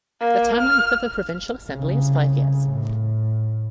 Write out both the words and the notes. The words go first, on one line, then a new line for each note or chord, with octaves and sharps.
The term length of the provincial assembly is five years.
A#3
F6
C2 C#3
A2